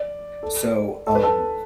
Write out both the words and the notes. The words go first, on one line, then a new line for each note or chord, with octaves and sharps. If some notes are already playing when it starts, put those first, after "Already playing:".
So, um,
Already playing: D5
A4
A4
B4
A4